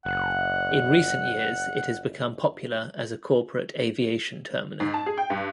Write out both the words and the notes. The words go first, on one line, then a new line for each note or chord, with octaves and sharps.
In recent years it has become popular as a corporate aviation terminal.
F#1 F#5
G#2
A5
G#4
G5
G2